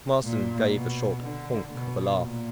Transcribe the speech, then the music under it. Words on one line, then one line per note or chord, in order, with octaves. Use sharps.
Marsden gave a short honk of a laugh.
A#2
B2
D3
B2
A#2